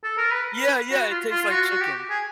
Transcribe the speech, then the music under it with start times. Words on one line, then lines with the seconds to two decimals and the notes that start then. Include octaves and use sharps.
Yeah, yeah, it tastes like chicken.
0.04 A4
0.18 A#4
0.32 B4
0.61 B4
0.92 F#4
1.11 F4
1.31 F4
1.42 F4
1.51 F#4
1.71 F#4
1.81 G4
2.10 G#4